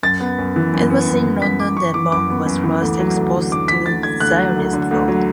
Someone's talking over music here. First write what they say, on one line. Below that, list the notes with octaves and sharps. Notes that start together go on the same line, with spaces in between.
It was in London that Monk was first exposed to Zionist thought.
F#2 A6
B3
F#2
E3
F#2
B3
F#2
E3
F#2 B6
B3 D6
F#2 C#6
E3 D6
F#2 D6
B3
F#2
E3
D2
F#3
D2
D3
D2 D6
F#3 B6
D2 A6
D3 G#6
D2 F#6
F#3
D2
D3
D2
F#3